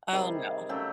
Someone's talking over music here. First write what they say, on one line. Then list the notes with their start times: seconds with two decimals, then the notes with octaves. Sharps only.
Oh, no.
0.12 C3 D#3 G3 G#4
0.69 C#3 F#3 A3 G4